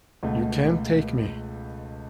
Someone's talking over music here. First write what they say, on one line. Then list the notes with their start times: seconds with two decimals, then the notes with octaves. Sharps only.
You can't take me!
0.23 C#2 B2 A3